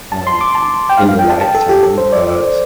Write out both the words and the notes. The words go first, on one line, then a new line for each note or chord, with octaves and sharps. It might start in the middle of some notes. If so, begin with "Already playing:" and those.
um, in your lifetime, but,
A5
C6
D6
A5
G5
F5
F5
G5
A5
A5
A4
G4
A4
C5
D5